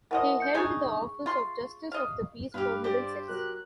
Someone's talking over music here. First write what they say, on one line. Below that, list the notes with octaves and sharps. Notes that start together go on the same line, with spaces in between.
He held the office of Justice of the Peace for Middlesex.
E3 F3 A#4 D#5 F#5
G6 C#7
D4 D#4 G#4 G#5 C#6
F4 C6
D#5 F5
G2 G4 B4 F6
G4 C5 D5
F#3 A#4 F#6